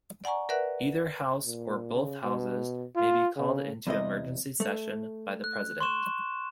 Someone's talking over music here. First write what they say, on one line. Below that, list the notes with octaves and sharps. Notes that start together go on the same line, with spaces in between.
Either house or both houses may be called into emergency session by the president.
D5 F#5 G#5 A#5 C#6
A#4 B4 D5 E5 F#5 F#6
A#2
C#3
B2
F4
C#3
E2 C3 D#5
A3
F#6
C6 C#6 E7